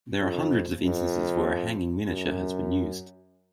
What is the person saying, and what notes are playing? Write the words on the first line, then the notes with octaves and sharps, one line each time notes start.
There are hundreds of instances where a hanging miniature has been used.
F2
F2
F#2